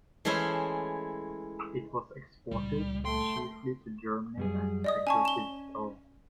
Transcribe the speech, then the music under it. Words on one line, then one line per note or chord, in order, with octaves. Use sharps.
It was exported chiefly to Germany as decorative stone.
E3 G#3 A3 C#4 E4 C5
C#2 A#2 G3
A3 G5 C6
F#2 G3 G#4
D5 D#5 D#6
C#4 G#5 A5 C#6
E7 G7